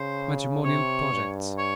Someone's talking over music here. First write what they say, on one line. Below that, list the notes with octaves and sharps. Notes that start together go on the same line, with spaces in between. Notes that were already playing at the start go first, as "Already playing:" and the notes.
Matrimonial Projects.
Already playing: C#3 C5
C3 C#5
G2
C#5